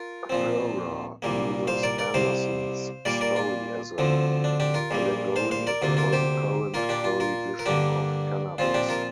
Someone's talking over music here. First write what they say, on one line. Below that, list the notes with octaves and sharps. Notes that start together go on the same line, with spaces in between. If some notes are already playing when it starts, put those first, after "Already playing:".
Herer uses Andersen's story as an allegory for the current prohibition of Cannabis.
Already playing: F4 A#4
A#2 F3 C4
C2 A#2 G3 A#3
C5 F5
A#4 D5
A#4 D5
C2 C3 G3 C5 F5
A#2 G3 A#3 A#4 D5
A#4 D5
F4
D2 D3 F3 C4
D4
D4 G4
F4 A#4
A#1 A#2 G3 A#3
C5 F5
C5 F5
A#4 D5
D2 C3 A#3 F4
F4 A#4
G4 C5
A#2 A#3 F4 A#4
D4 G4
F4
F4 A#4
A#4
G2 D3 A#3 D4 G4
A#2 F3 C4 F4
D4 G4
F4 A#4